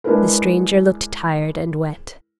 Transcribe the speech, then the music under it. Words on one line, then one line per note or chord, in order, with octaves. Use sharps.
The stranger looked tired and wet.
G#3 D4 E4 G#4 A#4 B4